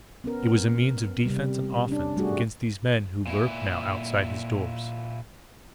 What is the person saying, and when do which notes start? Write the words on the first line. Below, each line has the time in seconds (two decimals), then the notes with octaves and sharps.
It was a means of defense and offense against these men who lurked now outside his doors.
0.24 B3 C#4 A#4
1.25 C3 G3
1.87 C#4 D4
2.17 G3 A3 F#4 G#4
3.27 A#2 E4